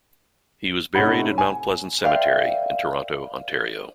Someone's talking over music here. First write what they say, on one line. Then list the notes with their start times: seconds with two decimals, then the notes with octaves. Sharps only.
He was buried at Mount Pleasant Cemetery in Toronto, Ontario.
0.95 C3 A3 C#4 D#4 F#5 B5
1.38 G#5
2.04 A#4 C5 D5 E5 F5 G5